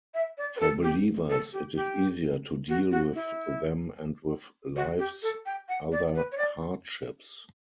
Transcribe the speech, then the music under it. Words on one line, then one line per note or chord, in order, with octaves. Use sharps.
For believers, it is easier to deal with them and with life's other hardships.
E5
D5
B4
A4
G4
A4
G4
G4
F#4
F#4
E4
F#4
G4
A4
G5
F#5
D5
B4
C#5
D5